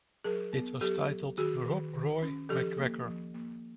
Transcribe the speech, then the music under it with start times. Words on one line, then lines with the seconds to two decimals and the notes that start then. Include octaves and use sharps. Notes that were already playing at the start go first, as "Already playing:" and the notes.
It was titled "Rob Roy MacGregor".
0.24 F#3 G#4 A#4
0.53 B3
0.81 F#3 G4 A4
1.09 F#3
1.38 D#3 F#4 G#4
1.66 D#3
1.93 D#3
2.22 C#4
2.49 F3 G4 A4
2.77 A#3
3.06 F3
3.34 A#3